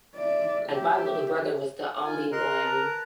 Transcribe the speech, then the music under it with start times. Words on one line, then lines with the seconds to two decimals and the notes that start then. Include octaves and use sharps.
like, my little brother was the only one
0.16 D5 E5
0.69 G4 E5
2.04 F4 G#5
2.32 A#4 D#5 C6 F#6
2.64 B4 A5 A#5